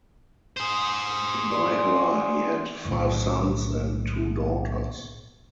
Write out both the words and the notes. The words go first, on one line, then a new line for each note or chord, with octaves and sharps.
By her he had five sons and two daughters.
G#4 C5
D5 C6
B1 A2 D3 D#3